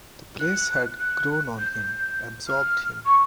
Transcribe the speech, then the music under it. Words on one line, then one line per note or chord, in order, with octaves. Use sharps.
The place had grown on him, absorbed him.
F#6
F#6
G6
G6
F6
C#6